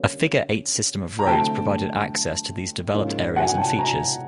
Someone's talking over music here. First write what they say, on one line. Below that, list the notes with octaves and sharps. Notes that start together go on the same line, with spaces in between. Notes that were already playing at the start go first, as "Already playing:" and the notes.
A figure-eight system of roads provided access to these developed areas and features.
Already playing: D3 G3 A#3 C#4
A#5
D3 F#3 A3 C4 G5 A5
G#2 F3 A#3 C#4
F#5 G#5
G5 A5
G#5 A#5